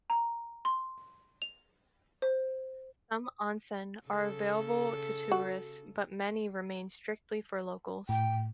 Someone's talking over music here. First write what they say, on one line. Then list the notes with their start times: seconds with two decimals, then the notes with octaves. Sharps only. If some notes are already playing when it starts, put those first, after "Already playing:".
Some "onsen" are available to tourists, but many remain strictly for locals.
0.10 A#5
0.65 C6
1.42 F7
2.22 C5
4.07 C#3 A4
5.31 F#4
8.09 A2 G5